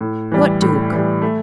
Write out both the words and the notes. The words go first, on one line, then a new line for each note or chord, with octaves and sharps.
"What duke?"
A2
E3 G3
A2
E3 G3
A3